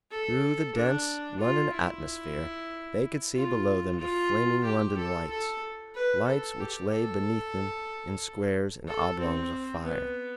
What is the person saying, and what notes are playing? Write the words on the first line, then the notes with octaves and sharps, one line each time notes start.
Through the dense London atmosphere they could see below them the flaming London lights; lights which lay beneath them in squares and oblongs of fire.
A4
D4
F4
E4
F4
F4
G4
A4
A4
B4
A4
G4
A4
A4
C4
B3